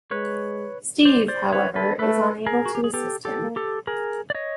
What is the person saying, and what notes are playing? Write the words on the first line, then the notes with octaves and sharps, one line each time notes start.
Steve, however, is unable to assist him.
G#3 B4 C#5
C5 D5
C5 D5
B4 C#5
A4 B4
A3 A4 B4
G#4 A#4
F#4
G4
G#4
B3 G4 A4
G4 A4
A#3
G4 A4
G#4 A#4
D5
C#5 D#5